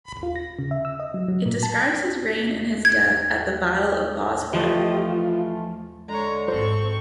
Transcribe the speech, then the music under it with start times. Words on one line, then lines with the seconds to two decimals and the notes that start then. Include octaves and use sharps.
It describes his reign and his death at the Battle of Bosworth.
0.23 F4
0.36 A#6
0.59 C#3
0.71 E5
0.85 E6
1.00 D#5
1.14 F#3
1.28 F#3
1.46 A#2
1.63 A5
1.77 A6
1.90 B6
2.85 G#6
4.53 E3 F3 A3 F4 G4 D#5
4.99 F4
6.08 D3 G#3 C#5 A#5
6.48 G#1 C4 A4 C5 C#6